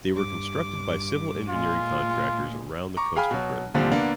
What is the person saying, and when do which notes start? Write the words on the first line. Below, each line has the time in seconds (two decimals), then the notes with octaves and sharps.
They were constructed by civil engineering contractors around the coast of Britain.
0.13 G2 D6
1.49 A#2 G#3 F4
2.97 A#5 C#6 D6
3.16 G#4 F5 G5 G#5 B5 F6
3.31 B2 F#3
3.74 D#2 A#2 D3 F3 G3 C4
3.91 D3 A#3 B3 D4